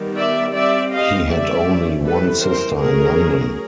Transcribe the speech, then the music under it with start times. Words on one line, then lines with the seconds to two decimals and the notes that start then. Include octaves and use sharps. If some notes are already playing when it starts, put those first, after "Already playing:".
He had only one sister in London.
Already playing: D#3 G3 B3
0.18 D5 E5
0.54 G3 C4 D5 E5
0.92 D#5 F5
1.29 D3 G3 A#3 C#4 D5 E5
2.04 E3 G3 C4 A4 B4
2.41 A#4 C5
2.79 F#3 A3 C#4 G#4 A#4